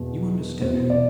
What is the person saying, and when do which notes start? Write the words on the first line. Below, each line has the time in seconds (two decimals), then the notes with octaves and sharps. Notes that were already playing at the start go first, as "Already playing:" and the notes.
You understand me?
Already playing: E2 B2
0.61 E2 B2 C5
0.90 D5